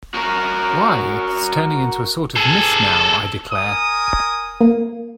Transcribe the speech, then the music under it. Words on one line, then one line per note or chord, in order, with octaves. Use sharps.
Why, it’s turning into a sort of mist now, I declare!
F#4 A#4
G#4 A4
A#4 G#5 D#6
A#3